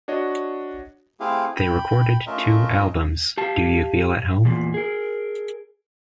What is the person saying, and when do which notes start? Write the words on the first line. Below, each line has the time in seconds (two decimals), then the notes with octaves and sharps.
They recorded two albums, Do You Feel at Home?
0.08 D4 F#4 C#5 D#5
1.20 A3 C4 E4 G4 G#4 F5
1.57 G5 B5
2.27 A3 C#4 F4 A#4 D#5 E5
3.37 G4 F5 A5
4.45 E2 A#2
4.74 G#4 A#4